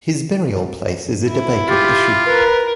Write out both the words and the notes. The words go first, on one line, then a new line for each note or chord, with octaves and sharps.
His burial place is a debated issue.
E4
F4 G4
A#4 B4